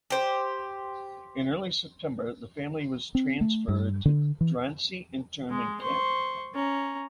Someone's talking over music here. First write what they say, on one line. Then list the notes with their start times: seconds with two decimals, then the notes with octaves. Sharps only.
In early September the family was transferred to Drancy internment camp.
0.10 G4 C5
3.15 C4
3.41 A3
3.68 G2
4.05 D3
4.41 E3
5.50 G#3
5.81 C5 C#6
6.55 C#4 A#5